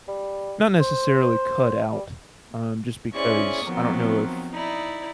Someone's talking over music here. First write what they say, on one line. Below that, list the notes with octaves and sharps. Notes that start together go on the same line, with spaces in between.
Not necessarily cut out, um, just because I don’t know if
G3
C5
G3
C#4 E4 G#4 C5 D5 C#6
D#3 F3 F#3 B3 C4
D#4 E4 D5